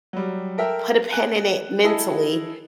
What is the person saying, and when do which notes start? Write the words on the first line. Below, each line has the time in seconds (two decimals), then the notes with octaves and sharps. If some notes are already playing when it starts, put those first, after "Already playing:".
put a pin in it, mentally,
0.13 F#3 G3
0.58 A4 A#4 E5 G5
1.12 G#5 F#6
1.84 E4 G#4 A4 D#5